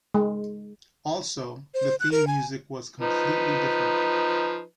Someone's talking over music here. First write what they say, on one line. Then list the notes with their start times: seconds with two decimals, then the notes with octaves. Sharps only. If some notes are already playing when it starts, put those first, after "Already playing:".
Also, the theme music was completely different.
0.14 G#3
1.74 C5
2.00 F#6
2.12 A#4
2.27 G#5
3.01 F3 D#4 B4